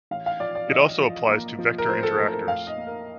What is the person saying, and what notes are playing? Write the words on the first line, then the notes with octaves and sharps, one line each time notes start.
It also applies to vector interactors.
A1 F5
F5
F3 D5
D5
A1 D#5
F3
A#3
F3
A#4
F3 C5
A4
A2 A4
A#4
F2 F5
D#5
A#3
A#4